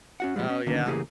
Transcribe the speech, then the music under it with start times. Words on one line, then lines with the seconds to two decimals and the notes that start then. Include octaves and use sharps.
Oh yeah.
0.20 C#4 F#4 F#5
0.36 A#2 C#3 F3 G3 G#3
0.50 C#4
0.67 D3 D#3 A#3 C#4
0.86 C#3 E3 A3 A#3 G4 G#4